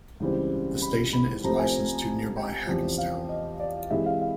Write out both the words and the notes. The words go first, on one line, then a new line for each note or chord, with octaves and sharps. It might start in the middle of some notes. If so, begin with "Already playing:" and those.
The station is licensed to nearby Hackettstown.
C#2 C#3 E3 G3 C4
B5
B5
C3 F3 A3 C4 A#5
G#5
G5
E2 C3 F3
F5
D#5
D5
C3 E3 G#3 E5
F5
F5